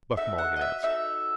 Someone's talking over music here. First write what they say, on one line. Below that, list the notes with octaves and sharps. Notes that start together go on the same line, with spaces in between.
Buck Mulligan answered.
D#4 F#4 A4 E5
F#5
D#5
E5
D#4 F#4 A4 E5